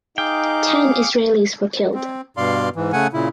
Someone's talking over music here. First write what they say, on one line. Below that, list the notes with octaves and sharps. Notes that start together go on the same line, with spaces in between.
Ten Israelis were killed.
D#4 G#4 F5 G5 D6
C4
G2 B2 D5 F5 C6
G#2 E3
C#3 A3 F#5 G#5
A#2 C#3 E4